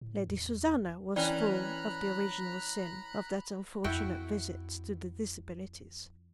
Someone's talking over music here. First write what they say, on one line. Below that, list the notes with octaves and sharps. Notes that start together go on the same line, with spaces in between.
Lady Susanna was full of the original sin of that unfortunate visit to the Disabilities.
A2
E2
E3 C#4 D5 G5 A#5 B5 F#6
F2 E4 F#4 G5